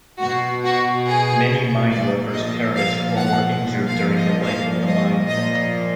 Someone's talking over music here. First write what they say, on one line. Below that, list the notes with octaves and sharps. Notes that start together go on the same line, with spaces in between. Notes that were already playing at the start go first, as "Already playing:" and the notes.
Many mine workers perished or were injured during the life of the mine.
B2 F#4
F#4
G#4
A#2 F3 D5
D#5
F5
F#5
A#2 F3
F5
D#5
F5
D#5
A#2 F3 D#5